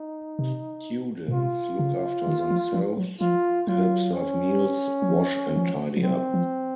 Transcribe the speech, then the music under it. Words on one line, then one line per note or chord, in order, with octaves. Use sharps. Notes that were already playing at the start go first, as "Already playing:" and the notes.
Students look after themselves, help serve meals, wash and tidy up.
Already playing: D#4
C3
A#2
C3 F4
C#3
D#3
F3
F3
F#3
F3 F4
F#3 F4
C#4
F#3
F3
F3
F3
F#3 C4
F3